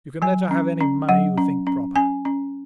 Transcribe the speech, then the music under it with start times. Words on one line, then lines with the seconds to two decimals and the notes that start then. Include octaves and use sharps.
You can let her have any money you think proper.
0.22 F#3 G#5
0.51 C#4
0.80 C#4
1.09 F#3 F#5
1.38 C#4
1.67 C#4
1.96 C#4 G#5
2.25 C#4